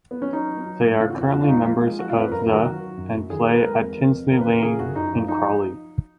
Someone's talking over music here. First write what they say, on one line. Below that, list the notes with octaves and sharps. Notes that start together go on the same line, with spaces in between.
They are currently members of the and play at Tinsley Lane in Crawley.
B3
C#4
F#3 D#4
F#3
F#3
G#2
C#3 F4
F#4
F2
F#4
F2 F#4
F4
G#3 D#4
F4
F3
G#3
F3 F#4
F4
F2
B4
F#2 A#4
A#4
D#3
F#4
F#3
F#3
F#2
F#2
D#3 G#4
F#3 A#4
B4
G#3 A#4
F2
F2
F2
C#3 A#4
B4
C#3
A#4
C#3 G#4
F#2 F#4
F#2 D#4
F3
D#4